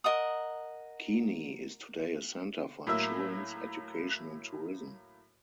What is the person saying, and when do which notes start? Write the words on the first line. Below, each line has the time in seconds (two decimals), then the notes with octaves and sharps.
Keene is today a center for insurance, education and tourism.
0.04 A#4 D#5 F#5 D#6
2.87 A2 F#3 A#3 E5